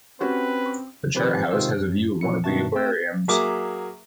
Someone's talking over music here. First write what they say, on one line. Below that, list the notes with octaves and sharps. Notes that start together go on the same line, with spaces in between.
The Chart House has a view of one of the aquariums.
C4 C#4 F#4 G4 B4
D#3 F3 C4 G4 B4
C3 D#3 G#3 F4 C5 E6
F#2
A#2 F#3 E4 C#7
G2 B2 D#3 F#4 E5 A5
A3 C4 G5 E6
F#3 A#3 G#4 E5 D6